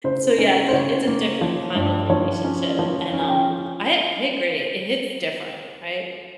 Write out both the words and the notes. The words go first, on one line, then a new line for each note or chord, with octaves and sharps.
So yeah, it's a it's a different kind of relationship and, um, I I agree. It hits different, right?
C#3 C5
C#4
C5
C#3 C#5
A#3
F3
G2
F3 C#5
C#4
F3
C#4
G#5
G5